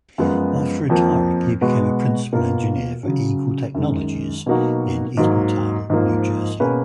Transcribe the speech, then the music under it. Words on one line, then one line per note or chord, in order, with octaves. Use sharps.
After retiring he became a principal engineer for Eagle Technologies, in Eatontown, New Jersey.
F#2 F3 G#3 B3 F4
F2 F3 A#3
B2 G#3 B3 F#4
B2 A#3 F4 A#4
C#3 F#3 C#4
F#2 D#3 G#3
B2 F#3 A#3 D#4 F#4
G#2 F#3 A#3
G#2 F3 A#3
B2 A#3 C#4 G#4 B4